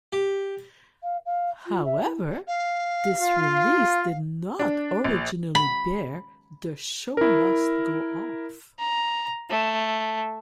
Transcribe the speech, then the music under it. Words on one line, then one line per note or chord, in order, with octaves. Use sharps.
However, this release did not originally bear the Show Must Go Off!
G4
F5
F5
F4
E5
E4
F5
F4
D4
A#1
B5
E4 A#4
A#5
A3